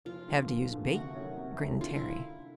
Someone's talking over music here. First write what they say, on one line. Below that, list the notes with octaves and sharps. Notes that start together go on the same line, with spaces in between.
"Have to use bait," grinned Terry.
F1 F4
D#2 D3
F1
D#2 D3
C3 F#4
D#3 F#3 A3 C#4
C3
D#3 F#3 A3 C#4
D3 F4
E4